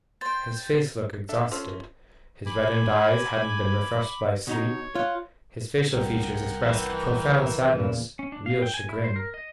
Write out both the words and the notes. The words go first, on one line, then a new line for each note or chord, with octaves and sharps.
His face looked exhausted; his reddened eyes hadn't been refreshed by sleep; his facial features expressed profound sadness, real chagrin.
C5 G5 A6
D4 A4 E5
C#4 F4 A4 C5
G#5 B5 D6
B2 D#4 C#5 A#5
F4 C#5 F#5
C2 A#4 F#5 G5
E3
E2 A#2 C#3
C#4
D4
F5
G5
G#5
E4
C5
A#4
D#5